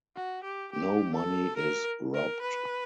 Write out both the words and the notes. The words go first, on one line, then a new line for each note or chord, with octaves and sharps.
No money is robbed.
F#4
G4
G4
A4
A#4
A#4
B4